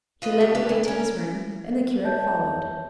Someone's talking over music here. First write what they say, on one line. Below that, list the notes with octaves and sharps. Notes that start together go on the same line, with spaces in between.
He led the way to his room, and the curate followed.
F4 B4 D#5
G4
D4 G4
E3
C#4 A#4
C#5 E5 A5 G6